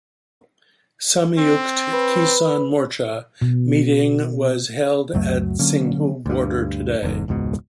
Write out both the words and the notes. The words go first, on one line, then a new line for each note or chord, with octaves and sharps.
Samyukt Kisan Morcha meeting was held at Singhu Border today.
C4
B4
B2
C#2 F#2 F#3 A3
D3 F#3 A#3 C#4
D2 G2
F#1 E2 G#2
E1 C#2 G#2 B2